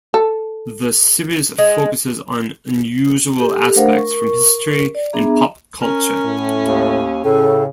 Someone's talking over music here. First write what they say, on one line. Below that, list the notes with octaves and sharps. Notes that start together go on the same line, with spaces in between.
The series focuses on unusual aspects from history and pop culture.
A4
G#3
G4 A4
A3 D4 A#4 C5 F5 F#5
A#4 C#6
D5
B3 D4 G#4 E5 A#5
C#4 A#4
A2
D#2
A2 C#3 A4